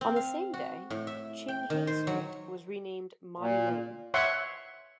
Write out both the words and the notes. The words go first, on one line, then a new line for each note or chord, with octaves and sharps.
On the same day, Ching Hay Street was renamed Mody Lane.
C4
F5
F#4
A2
E5
G5
D#3
C5
F#3
A#2
C#5 E5 F#5 C6 C#6